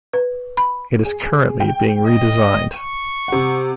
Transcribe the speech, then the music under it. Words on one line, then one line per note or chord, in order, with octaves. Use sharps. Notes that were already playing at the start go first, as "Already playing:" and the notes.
It is currently being redesigned.
B4
B5
G#4
G5
D#5
C#6
C3 F#5